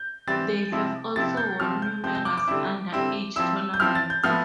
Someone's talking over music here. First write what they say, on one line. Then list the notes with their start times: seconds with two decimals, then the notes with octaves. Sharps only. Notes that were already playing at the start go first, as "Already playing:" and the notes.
They have also won numerous underage tournaments.
Already playing: G6
0.27 E3 G3 C4 A6
0.72 C3 F3 C4 E4
1.16 C3 F3 C4 E4 A6
1.37 G6
1.60 C3 F3 C4 F6
1.82 G6
2.04 C3 F3 C4 G6
2.15 G6
2.25 D6
2.37 D6
2.48 D3 G3 C4 E4
2.92 D3 G3 C4 E4
3.36 F3 C4 E4 E6
3.74 G6
3.80 F3 C4 E4 F6
3.95 A6
4.10 G6
4.24 A2 F3 B3 E4 F6